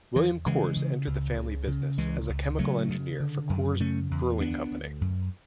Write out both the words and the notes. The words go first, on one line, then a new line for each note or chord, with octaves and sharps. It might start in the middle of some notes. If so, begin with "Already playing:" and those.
William Coors entered the family business as a chemical engineer for Coors Brewing Company.
E2 E3
C#3 E3 G#3
C#3
C#2
C#3
C#3
C#2 E3 G#3
C#2
C#3 F#3 A3
C#3
D3
F#2
C#3 A3 C#4
E2
D2 B3 D4
D2
F#2